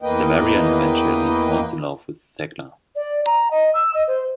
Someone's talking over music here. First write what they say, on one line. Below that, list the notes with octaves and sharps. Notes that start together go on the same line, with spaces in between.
Severian eventually falls in love with Thecla.
E2 A#3 B4 D#5 G5
D5
A#5
D#5
E6
D#5
C5